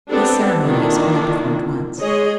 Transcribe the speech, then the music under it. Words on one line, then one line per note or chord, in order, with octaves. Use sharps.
This ceremony is only performed once.
B3 C4 D4 G4 A4
D#3 A#3 D4 E4 F4
G#3 G#4 C#5 D#5